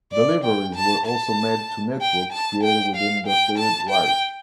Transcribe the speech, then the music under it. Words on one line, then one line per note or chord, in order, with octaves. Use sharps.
Deliveries were also made to networks created within the Third Reich.
D5
G5
A5
A5
G5
A5
G5
F5
G5
A5
G5